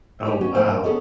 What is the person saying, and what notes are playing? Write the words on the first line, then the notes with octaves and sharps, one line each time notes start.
Oh, wow.
D#4 G4 B4 C#5 D#5
B3 C#4 F#4
F3 A3 B3 C5
A#4
B3 C#4 G#4 A4 C#5 D#5